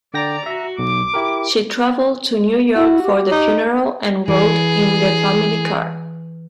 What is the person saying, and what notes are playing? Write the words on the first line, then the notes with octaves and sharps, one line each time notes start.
She traveled to New York for the funeral and rode in the family car.
D3 D5 G5 A#5 A#6
F#4 E5 A#5
B1 D6
E4 G4 A#4
E4 F#4
G4
D#4
E3 G#4